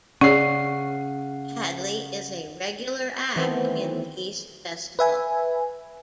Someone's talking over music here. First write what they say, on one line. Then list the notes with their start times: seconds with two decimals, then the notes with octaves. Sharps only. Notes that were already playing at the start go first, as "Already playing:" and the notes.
Hadley is a regular act in The East Festival.
0.21 C#3 C#4 G#4 C#5 D5 F#5 C7
3.36 D#3 E3 A3 B3 C4
4.99 B4 E5 G#5